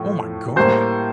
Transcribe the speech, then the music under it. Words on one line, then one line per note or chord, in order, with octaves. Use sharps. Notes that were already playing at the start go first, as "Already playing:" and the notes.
Oh my god."
Already playing: A2 F3 A3
A2 G3 A#3 C5